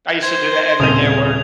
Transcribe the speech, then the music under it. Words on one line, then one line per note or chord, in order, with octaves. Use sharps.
I used to do that every day at work.
C5 G#6
D#1 C#3 C4 D#6 D#7 F7